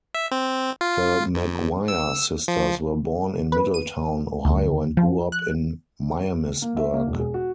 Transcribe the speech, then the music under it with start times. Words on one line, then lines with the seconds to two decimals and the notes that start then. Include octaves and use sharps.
The McGuire sisters were born in Middletown, Ohio, and grew up in Miamisburg.
0.15 E5
0.31 C4
0.81 F4
1.35 F2
1.88 E6
2.48 F3
3.52 B4
3.74 D#7
4.45 D2
4.97 F3
5.32 F#6
6.62 A#3
6.77 E5
6.93 A#3
7.07 E1
7.19 G#4
7.34 F#4